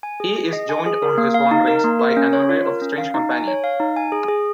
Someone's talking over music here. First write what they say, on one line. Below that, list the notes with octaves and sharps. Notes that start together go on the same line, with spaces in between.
He is joined on his wanderings by an array of strange companions.
G#5
G#4
G#4
D#5
G#5
G#4
A#4
A#3
F5
D#4
A#4
A#3
A#4
C#4
C#5
F4
A#4
C#4
F5
D#4
G#5
C#5
F5
D#4
G#5
G#4
G#4